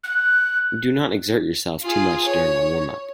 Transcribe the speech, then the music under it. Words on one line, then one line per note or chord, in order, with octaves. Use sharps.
Do not exert yourself too much during a warm-up.
F#6
F4 G#4
C#5